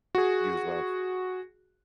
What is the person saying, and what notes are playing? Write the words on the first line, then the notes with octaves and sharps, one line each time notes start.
You as well.
F#4 G#4